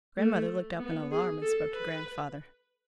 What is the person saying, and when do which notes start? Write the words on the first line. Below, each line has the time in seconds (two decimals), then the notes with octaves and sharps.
Grandmother looked up in alarm and spoke to grandfather.
0.17 A3
0.79 B3
1.11 G#4
1.42 A4
1.73 B4